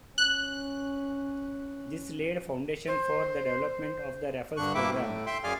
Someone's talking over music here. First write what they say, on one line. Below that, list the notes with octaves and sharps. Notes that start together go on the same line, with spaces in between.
This laid the foundation for the development of the Raffles Programme.
C#4 F#6
C5
G2 D3 D4 C#6 F#6
G2 A#3 E4 E5 G5 D6
A2
E5 G5 C6
F#2 G#4 D5 F5 G#5 F6